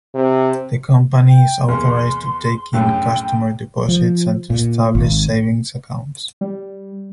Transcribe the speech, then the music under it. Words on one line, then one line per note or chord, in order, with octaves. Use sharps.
The company is authorized to take in customer deposits and to establish savings accounts.
C3
G5
E2 A#3 C6
A#1 F#2 A2 G5
F3
A#2
G#1
G3